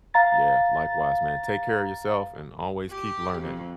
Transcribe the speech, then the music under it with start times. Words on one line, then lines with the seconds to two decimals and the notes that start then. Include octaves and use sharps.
Yeah, likewise, man. Take care of yourself and always keep learning.
0.14 F5 A#5 A6
2.90 G4
3.39 F2